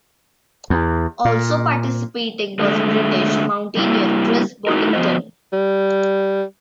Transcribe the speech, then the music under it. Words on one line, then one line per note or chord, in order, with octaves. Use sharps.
Also participating was British mountaineer Chris Bonington.
E2
A#2
D3 G#3 A3
G3 A#3 E4 G4
D#4 E4 F#4 A#4
F3 B3 C#4 F#4 C5 D#5
G3